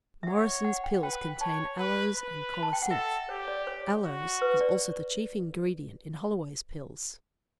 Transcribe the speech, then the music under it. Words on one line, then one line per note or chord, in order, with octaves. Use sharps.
Morrison's pills contain aloes and colocynth; aloes is also the chief ingredient in Holloway's pills.
E5
C#5 F#5
F#5
G5
B4 G5
C#5 A5
B4
B4
B5
A5
G5
F#5
A4 E5
G4 C#5
D5
C#5
F#4
B4
D5